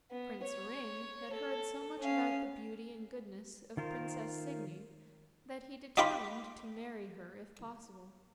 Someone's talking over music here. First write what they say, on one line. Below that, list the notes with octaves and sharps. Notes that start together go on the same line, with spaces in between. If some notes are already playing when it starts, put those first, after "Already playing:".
Prince Ring had heard so much about the beauty and goodness of Princess Signy that he determined to marry her if possible.
B3
C#5
A4
C#4 F5
D#3 F4 A#4 C5
D#4 F4 G4 G5 B5 C6